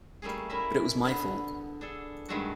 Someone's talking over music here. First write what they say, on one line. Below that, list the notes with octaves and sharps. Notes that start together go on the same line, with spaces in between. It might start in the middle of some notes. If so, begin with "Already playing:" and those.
But it was my fault.
G3 A3 A#3 C#4 G#4
A#3 C#4 E4 A#4 E5
D3 B3
D4 G#4 A4
G2 D#3 G#3 A3 D4 F#4